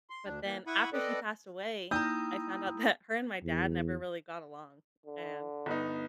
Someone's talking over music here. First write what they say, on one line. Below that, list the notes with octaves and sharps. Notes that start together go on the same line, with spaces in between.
but then after she passed away, I found out that her and my dad never really got along, and
C6
D2 D4
E3 A#3
E4 F#5 B5 C#6 D#6
C4 A4 B4 D5 D#5
A#3 D#4 E4 G5 A#5 D#6 E6 G6
E2
D3
G1 B3 D#4